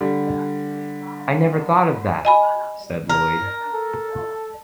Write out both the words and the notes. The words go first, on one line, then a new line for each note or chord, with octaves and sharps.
"I never thought of that," said Lloyd.
D3 G3
D#5 G#5 B5
A#4
A4